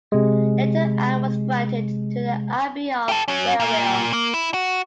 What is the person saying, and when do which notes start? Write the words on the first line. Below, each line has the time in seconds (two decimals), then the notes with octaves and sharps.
Little Ann was granted to the Abbey of Wherwell.
0.12 C3 G#3
3.09 G4 A4
3.28 F#3 C#4
3.60 A#2 A#3
4.13 A#3
4.34 E4
4.54 F#4